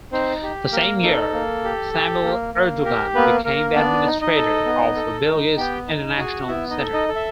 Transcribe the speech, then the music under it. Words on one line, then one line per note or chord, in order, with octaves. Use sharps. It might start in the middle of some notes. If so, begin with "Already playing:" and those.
The same year, Samil Erdogan became the administrator of Bilgi's International Center.
C4 D#4 C5
G4
A#3 A#4
D#4 A4
A#3
G4
G4
A#3
A#3
G4 A#4
A#3 B3 B4
A#3 A#4
B3 D4 D5
D#4
D#4 D#5
A4
B3
A4
D#4
B3 G4 G5
D#4
F#4 G#4 G#5
B3 E4 E5
D#4 D#5
A4
D#4 D#5
A4
E5